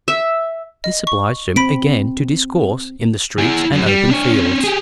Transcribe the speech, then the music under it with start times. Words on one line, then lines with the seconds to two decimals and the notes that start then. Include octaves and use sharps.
This obliged him again to discourse in the streets and open fields.
0.08 E5
0.84 D#5
1.07 C#6
1.56 C4 B5 B6 D7
3.38 E4 G#4
3.72 F#2
3.86 G3
4.11 D4 C#5
4.34 C4 C#4
4.64 G4 G#4